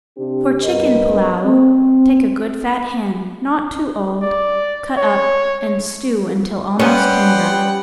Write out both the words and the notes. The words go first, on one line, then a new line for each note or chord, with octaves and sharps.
For chicken pullao, take a good fat hen, not too old, cut up and stew until almost tender.
C3 C4 D4 G4
G2 B3 A#4 D#5
C4
D5
C#5
C3 G3 B3 C#4 C5 F#5 G5